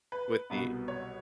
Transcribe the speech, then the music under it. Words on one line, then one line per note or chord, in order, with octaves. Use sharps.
With the
B4
C2 B2 F#3 B3
C#5